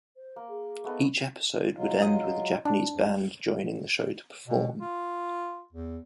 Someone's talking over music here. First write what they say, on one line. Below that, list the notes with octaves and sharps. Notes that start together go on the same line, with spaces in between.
Each episode would end with a Japanese band joining the show to perform.
C5
A#3
G#4
A3 B3 D#4
F#3 G#3 F4
D#6
D4
F2 G#2
B2
F4
E2